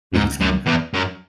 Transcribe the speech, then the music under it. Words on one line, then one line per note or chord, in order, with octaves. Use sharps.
But he's in the clear.
G#2
F#2
E2
F#2